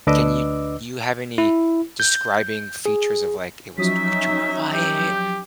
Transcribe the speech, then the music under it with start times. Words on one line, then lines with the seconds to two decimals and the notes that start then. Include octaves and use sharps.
Can you you have any describing features of, like, it was t q too quiet
0.07 D2 D4 B4 D#5 D6 E6
1.38 E4
2.00 G6
2.86 G#4
3.78 F3 F#3 C#4 D#4 E5 D#6 B6
4.74 G4 G6